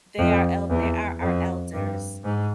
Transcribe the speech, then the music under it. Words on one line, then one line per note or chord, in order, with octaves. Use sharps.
they are el they are our elders,
F2
E2
F2
G2
G#2